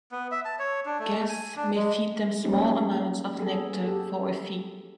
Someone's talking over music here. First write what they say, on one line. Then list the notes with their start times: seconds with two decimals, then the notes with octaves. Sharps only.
Guests may feed them small amounts of nectar for a fee.
0.12 B3
0.32 E5
0.45 A5
0.59 C#5
0.86 D4
0.99 A3
1.29 G#5
1.56 D4
1.75 G#3
2.44 F#3 A#3 C#4 D#4 G4 G#4
3.39 B3 G#4 A4
3.84 G4 A4